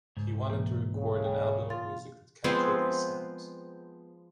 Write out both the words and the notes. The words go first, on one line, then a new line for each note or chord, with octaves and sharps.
He wanted to record an album of music that captured these sounds.
C#2 G#2
B2 E3 A#3
C#3
G5
F4 A6
F3 G#3 B3 C4